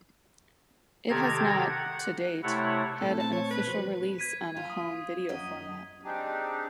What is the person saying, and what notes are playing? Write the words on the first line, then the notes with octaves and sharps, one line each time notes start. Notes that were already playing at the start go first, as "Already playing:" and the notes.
It has not, to date, had an official release on a home video format.
C3 D#3 G4 A4 A#5 G#6
F#5
C3 A3 E4 C#5 F#5
A#2 A3 C4 A4
A5
C#5
B4
F3 F#4 C5
G#6 B6 D#7
F4
D#6
F#2 D#5
C4 D4 D#4 G4 G#4